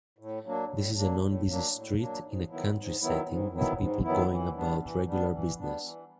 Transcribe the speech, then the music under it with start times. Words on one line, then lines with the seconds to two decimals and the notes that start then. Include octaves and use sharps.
This is a non busy street in a country setting with people going about regular business.
0.19 A2
0.45 F#3 A#3 D4
0.70 A2
0.96 F#3 A#3 D4
1.21 A2
1.47 F#3 A#3 D4
1.72 A2
1.99 F#3 A#3 D4
2.24 G#2
2.50 D#3 F#3 B3 E4
2.75 G#2
3.01 D#3 F#3 B3 E4
3.27 G#2
3.52 D#3 F#3 B3 E4
3.78 G#2
4.04 D#3 F#3 B3 E4
4.30 E3
4.55 G3 B3 D4
4.81 E3
5.06 G3 B3 D4
5.32 E3
5.58 G3 B3 D4
5.83 E3